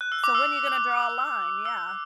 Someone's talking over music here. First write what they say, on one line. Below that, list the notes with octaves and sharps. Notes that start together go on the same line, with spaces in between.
So, when you gonna draw a line? Yeah.
F#6
E6
D6
E6
E6